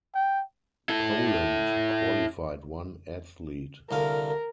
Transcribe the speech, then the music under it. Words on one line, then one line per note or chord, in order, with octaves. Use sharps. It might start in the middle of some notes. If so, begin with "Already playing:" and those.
Poland qualified one athlete.
G5
E4 A4
C2 D3 A#4 F5